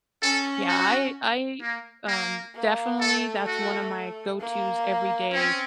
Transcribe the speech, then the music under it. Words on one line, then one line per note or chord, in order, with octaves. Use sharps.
yeah, I I, um definitely that's one of my go-to's every day
C#4 A4
F#4
A#3
A#3
A#3
A3 A4
F#4
A#3
C4 C#4